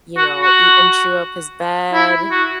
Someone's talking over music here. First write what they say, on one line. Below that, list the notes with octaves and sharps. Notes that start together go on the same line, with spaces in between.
you know, eat and chew up his bed,
F#4
F#4
E4
F#4